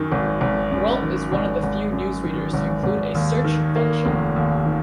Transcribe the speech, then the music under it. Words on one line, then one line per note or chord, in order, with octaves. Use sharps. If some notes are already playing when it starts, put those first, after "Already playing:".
GrabIt is one of the few newsreaders to include a search function.
Already playing: F#2 D#3
G#1
G#1
F#2
D#3
G#1
G#1
F#2
D#3
G#1
G#1
D#2
D#3
A#3
F1
D#2
D#3